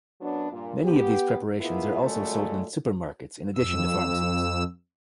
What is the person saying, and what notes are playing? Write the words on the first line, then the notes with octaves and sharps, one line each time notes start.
Many of these preparations are also sold in supermarkets in addition to pharmacies.
F#2 F#3 B3 D4
G2 A#2
B3 G4
B2 A#3 B3 E4 F4 G#4
A#2 C#3 F#3 G#3 A3
F2 E6